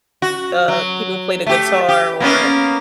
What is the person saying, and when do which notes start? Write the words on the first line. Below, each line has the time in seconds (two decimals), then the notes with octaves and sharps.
uh, people play the guitar or
0.22 F#4
0.68 F#3
1.47 A3 G4
1.89 G4
2.20 A#3 B3 C#4